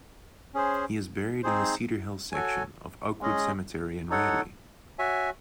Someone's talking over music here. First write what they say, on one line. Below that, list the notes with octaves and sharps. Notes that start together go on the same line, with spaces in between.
He is buried in the Cedar Hill Section of Oakwood Cemetery in Raleigh.
C#4 G#4 C5
C4 D#4 G#4 C5
F#4 A4 C#5 G#5
G#3 C#4 G#4 D#5
D#4 A4 C#5 F#5
F#4 C#5 E5 G#5